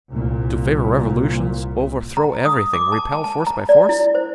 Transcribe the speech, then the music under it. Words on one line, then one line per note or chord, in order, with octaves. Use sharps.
To favor revolutions, overthrow everything, repel force by force?...
C2 A#2
A#5
D#6
D6
A5
A5
A5
A#5
D5
E4
C5